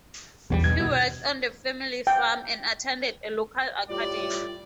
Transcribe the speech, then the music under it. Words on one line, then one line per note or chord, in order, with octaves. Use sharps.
He worked on the family farm and attended a local academy.
B1 E2 F#3 G3
B1 G2 B2 G#6
D#2 B2
G5
A2 G3 F4 G4 D5